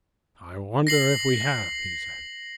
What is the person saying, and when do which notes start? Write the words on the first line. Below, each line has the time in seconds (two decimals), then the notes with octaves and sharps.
"I wonder if we have?" he said.
0.87 A#6 C7 F#7